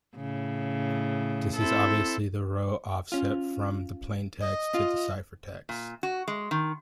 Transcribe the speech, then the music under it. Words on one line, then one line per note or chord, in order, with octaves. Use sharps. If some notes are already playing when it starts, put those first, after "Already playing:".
This is obviously the row offset from the plaintext to the ciphertext.
A2 C#3
C4 E4 A4
C#4 F4
D#5
F4
A#2
F#4
G#3
D#3